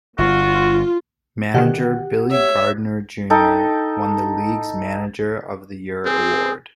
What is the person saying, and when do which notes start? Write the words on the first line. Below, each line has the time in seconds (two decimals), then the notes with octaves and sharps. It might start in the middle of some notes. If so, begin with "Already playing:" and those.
Manager Billy Gardner, Junior won the league's Manager of the Year award.
0.18 G1 F4 F#4
1.54 B2 D3 D#3 G4 F#5
2.31 C#5 E5
3.30 D#4 A4 G5
6.06 C4 G#4